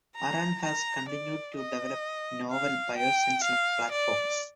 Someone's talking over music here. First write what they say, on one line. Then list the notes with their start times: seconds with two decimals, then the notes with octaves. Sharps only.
Aran has continued to develop novel biosensing platforms.
0.16 A#5
0.63 A#5
1.09 D5
1.57 D#5
2.51 F5
2.98 G5
3.44 F5
3.91 D5